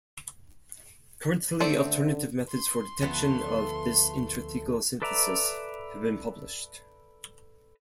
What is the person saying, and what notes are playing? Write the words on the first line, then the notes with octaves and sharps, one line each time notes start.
Currently alternative methods for detection of this intrathecal synthesis have been published.
D3 A3 C4 D5
C6
D2 D3 F3 A3 B3 A4
A4 B4 D5 E5 A#5